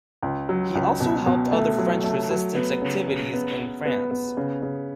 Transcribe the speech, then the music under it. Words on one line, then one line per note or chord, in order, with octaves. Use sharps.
He also helped other French Resistance activities in France.
C#2
F#3
C#2
B2
B2
A3
F#3
A3
F#3
B3
C#3
C#3
B3
B3
B3
B3
C#3
C#3